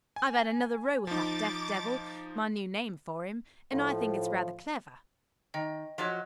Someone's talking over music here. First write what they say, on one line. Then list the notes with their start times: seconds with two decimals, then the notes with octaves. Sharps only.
I've had another row with that deaf-devil--my new name for him, and I think it's rather clever.
0.16 G#5
1.07 F3 D#4 D6 A6
3.73 A2 F3
5.54 D#3 D#5 G5
5.98 F3 F#3 C#5 D#5 D6 A6